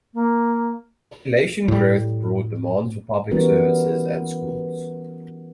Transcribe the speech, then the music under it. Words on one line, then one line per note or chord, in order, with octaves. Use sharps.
Population growth brought demands for public services and schools.
A#3
A2 G3
E3 G3 B3 C#4 F#4 A#4